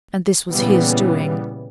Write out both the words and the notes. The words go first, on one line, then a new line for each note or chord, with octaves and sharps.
And this was his doing.
A#2 C#3 E3 G3 B3